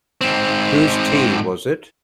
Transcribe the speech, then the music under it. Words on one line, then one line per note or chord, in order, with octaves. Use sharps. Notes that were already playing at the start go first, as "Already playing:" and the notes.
Whose tea was it?
G#2 C4